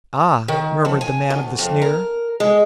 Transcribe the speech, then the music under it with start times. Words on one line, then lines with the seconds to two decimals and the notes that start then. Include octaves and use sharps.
"Ah!" murmured the man of the sneer.
0.48 D#3
0.85 F3
1.01 G#5
1.30 D2
1.59 F2
1.82 A#4
2.40 G#3